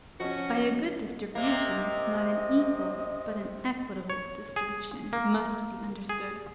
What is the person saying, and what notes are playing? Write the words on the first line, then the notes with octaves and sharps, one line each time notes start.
By a good distribution, not an equal but an equitable distribution must be understood.
F3 C#4 F#4 D#5 C#6
C3 A#3 D#5
C#5
G#4
A#3
G#4